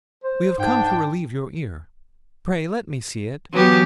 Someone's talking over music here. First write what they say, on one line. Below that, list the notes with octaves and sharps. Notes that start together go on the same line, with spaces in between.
We have come to relieve your ear. Pray let me see it.
C5
G#2 D4 G5
E3 F#3 B3 G4